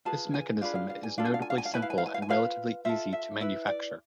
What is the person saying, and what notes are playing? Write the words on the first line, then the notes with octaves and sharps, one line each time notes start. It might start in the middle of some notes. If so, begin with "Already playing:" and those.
This mechanism is notably simple and relatively easy to manufacture.
F4 G#4 B4 A5
G#5
D4 F4 G#4 B4 F5
F5
F5
G#5
D4 F4 A4 F5
G#5
F5
G#5
F5
G#5
F5
E4 B4 G#5
F5
G#5
F5
G#5
F5
G#5
F4 B4 F5
F4 A4 E5
E5
E4 B4 E5
D5